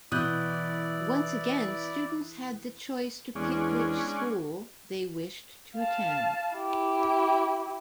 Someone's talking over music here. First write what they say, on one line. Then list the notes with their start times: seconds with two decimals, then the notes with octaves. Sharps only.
Once again, students had the choice to pick which school they wished to attend.
0.12 B2 E3 E4 D5 D#6 F#6 G6
3.36 E2 G#3 C#4 D4
5.76 F5 A5
6.55 E4 G4